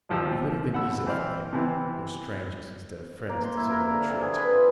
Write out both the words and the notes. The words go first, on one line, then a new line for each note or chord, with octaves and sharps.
It would have been easier for him were strangers instead of friends to see their retreat.
G#1 D#2 F3 G4 E6
B1 F#5 B5 E6
E3 C4 C5 D5 F6
C3 E3 B3 C4 E4
A#3
C6
E4
A#4
D3
C3
G#4
B4
F4